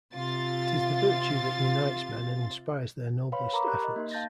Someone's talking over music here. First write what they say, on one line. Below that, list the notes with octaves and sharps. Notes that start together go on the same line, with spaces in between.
It is the virtue that unites men and inspires their noblest efforts.
C3 F4 A6
B4 C#5 F5 B5 C6
A#4 A#5 B5 C#6 D6
G4 A#4 F#6
D#5
A#3 D#4 C6
F5 A5 G6 A6 A#6